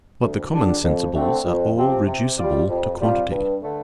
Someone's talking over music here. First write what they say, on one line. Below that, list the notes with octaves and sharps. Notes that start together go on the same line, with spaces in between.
But the common sensibles are all reducible to quantity.
D2
D3 G3 D4 F4
F2
D3 A3 C4 A4
F2
C3 F3 C4 G4
C3
G3 F4 D5
F2
C3 G3 F4
G2
D3 A3